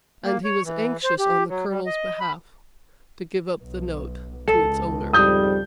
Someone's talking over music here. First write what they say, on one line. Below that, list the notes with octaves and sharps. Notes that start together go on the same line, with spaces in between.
And he was anxious, on the Colonel's behalf, to give up the note to its owner.
A#3
C#5
E3
C5
G4
F#3
G3
D#5
B5
B1
C#2 A4
F2 G#2 G3 D#6 G6